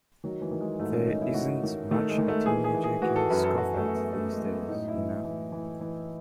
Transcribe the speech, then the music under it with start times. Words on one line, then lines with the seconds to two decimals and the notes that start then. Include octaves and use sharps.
There isn't much a teenager can scoff at these days, you know.
0.24 D#3 F#3
0.41 E3
0.51 D#3
0.61 G#3
0.79 G#2 A3
0.93 C#4
1.07 D#3 D#4
1.21 E4
1.34 D#3 F#4
1.63 D#3
1.91 D#3 A3
2.09 G#3
2.18 D#3
2.28 A3
2.46 E3 G#4
2.64 G#4
2.74 E3
2.84 G#4
3.02 E3 F#4
3.16 A4
3.30 F#2 B4
3.44 A4
3.57 F#2 F#4
3.76 A3
3.86 F#2
3.94 B3
4.13 F#2 A3
4.32 G#3
4.42 F#2
4.51 B3
4.69 A2 D#4
4.88 E4
4.96 E3
5.24 E3
5.52 E3
5.81 E3